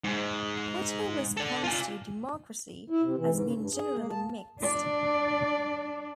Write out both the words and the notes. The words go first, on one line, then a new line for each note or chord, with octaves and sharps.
Critical response to "Democracy" has been generally mixed.
G#2 G#3
A4 D5
F4 G#5
E4
C3
E3
G#2
C#3
G2
G#4
A#3
A5
D4 D5